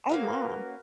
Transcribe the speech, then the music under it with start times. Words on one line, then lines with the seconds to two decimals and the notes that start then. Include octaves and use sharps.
Oh, my.
0.09 A#3 C#4 F#4 A#4 B4 F5